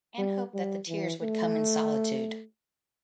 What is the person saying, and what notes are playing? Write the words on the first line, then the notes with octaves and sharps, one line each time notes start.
Anne hoped that the tears would come in solitude.
G3
G3
E3
A3